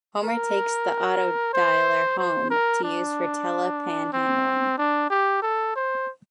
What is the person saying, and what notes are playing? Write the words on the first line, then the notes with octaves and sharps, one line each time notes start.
Homer takes the autodialer home to use for tele-panhandling.
A#4
C5
C5
A#4
D4
C4
D4
G4
A4
C5